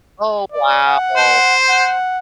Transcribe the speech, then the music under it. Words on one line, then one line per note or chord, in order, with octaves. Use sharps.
Oh wow! Oh,
D5
F#5
C5
F#5